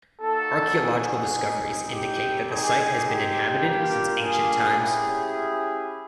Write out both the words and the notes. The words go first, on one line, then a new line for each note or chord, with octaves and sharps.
Archeological discoveries indicate that the site has been inhabited since ancient times.
A#3 D#4 F#4 A4
G#4
G3 C4 D#4
G4
C4 D#4 G4 G#4
G4
G3 A#3 D4 F4
G#4
A3 C#4 E4 G4 G#4